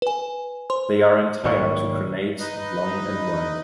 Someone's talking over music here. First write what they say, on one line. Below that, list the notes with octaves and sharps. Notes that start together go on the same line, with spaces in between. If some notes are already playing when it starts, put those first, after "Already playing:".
They are entire to crenate and long and wide.
B4 G#5
C5 C6
B1 G#2 D#3 G3 A#3 C#5
D#4 B4 D#5